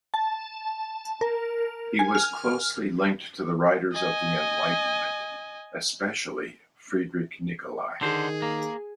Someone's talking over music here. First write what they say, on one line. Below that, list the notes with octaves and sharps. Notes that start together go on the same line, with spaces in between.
He was closely linked to the writers of the enlightenment, especially Friedrich Nicolai.
A5
A#4
G#5
F6
D#5 G#5
D3 D#3 G#4 C5
A#3